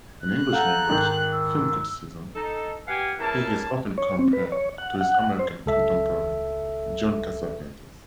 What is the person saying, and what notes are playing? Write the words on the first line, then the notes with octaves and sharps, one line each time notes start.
In English-language film criticism, he is often compared to his American contemporary John Cassavetes.
F#6
A4 F5 F#5 A#5 G6
G#2 D#3
E6
D#4 A4
G4 B4 F5 F#5 G#5
C#3 E3 A#3 E4 G#5 A5
C#5
C4
B4
C#5
F#5
F#5
C5
C#2 A4 E5